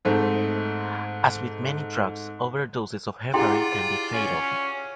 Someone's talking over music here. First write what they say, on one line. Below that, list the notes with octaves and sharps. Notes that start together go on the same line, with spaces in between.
As with many drugs, overdoses of heparin can be fatal.
G#2 A3 C4
E4 F4 G4 G#4 D5 F#5 G5 C6
C#4